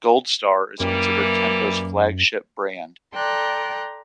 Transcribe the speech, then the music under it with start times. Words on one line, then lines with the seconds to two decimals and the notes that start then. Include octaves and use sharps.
Goldstar is considered Tempo's "flagship brand".
0.80 F#2 E3 G3 A#3
3.14 A4 D5 G5 A#5 C6 F#6